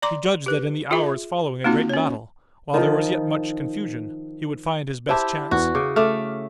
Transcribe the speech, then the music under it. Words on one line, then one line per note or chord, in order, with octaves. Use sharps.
He judged that in the hours following a great battle, while there was yet much confusion, he would find his best chance.
D5 A#5 C6 D6
G4 B4
F4 G#4 E5
A#3 C4 D#4 F4 F#4
C#4 C#5
D#3 F3
E4 G4 C5 A5
E2 F#4
C#3 D6
A3 D6 F6